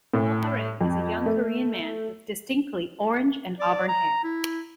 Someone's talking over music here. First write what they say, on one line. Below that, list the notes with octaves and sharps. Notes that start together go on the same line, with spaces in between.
Hwoarang is a young Korean man with distinctly orange and auburn hair.
A2
F2
A3
D5
A#5
E4